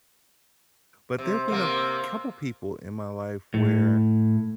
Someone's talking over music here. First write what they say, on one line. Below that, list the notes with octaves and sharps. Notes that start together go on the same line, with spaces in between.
but there have been a f couple people in my life where
C3
C3 A#3
A2